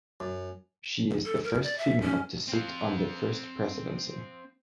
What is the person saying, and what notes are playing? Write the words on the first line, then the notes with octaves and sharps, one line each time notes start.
She is the first female to sit on the First Presidency.
F#2
A4
A#4
D5
E5
C#4
C4 F5